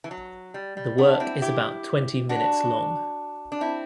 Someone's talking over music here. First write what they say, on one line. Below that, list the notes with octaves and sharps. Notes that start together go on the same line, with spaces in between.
The work is about twenty minutes long.
E3
F#3
G3
G3
B3 D4
C4 E4
E4 G4
D4 F#4
D4
C4 E4